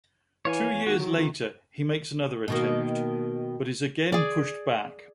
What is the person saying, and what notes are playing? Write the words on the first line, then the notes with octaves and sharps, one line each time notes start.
Two years later he makes another attempt, but is again pushed back.
E3 C#5 F5 G#5
E2
D#2 F#4
D#3 F#3
F2
B2 D#3 A#3
G#4 D5